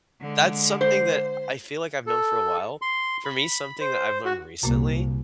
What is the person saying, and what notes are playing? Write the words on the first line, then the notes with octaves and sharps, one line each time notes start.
that's something that I feel like I've known for a while. For me, something that I've learned recently,
D3 G#3
C5
A4
C6
B5
C5
F#4
C2 F#2 A#2 A#3